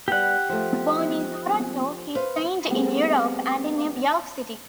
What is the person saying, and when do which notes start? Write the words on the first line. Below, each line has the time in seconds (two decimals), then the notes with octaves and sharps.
Born in Toronto, he trained in Europe and in New York City.
0.08 G3 B3 G4 F#5
0.49 F3 A3
2.15 B4 C5 F5
2.69 G3 A3 B3 C4 G#4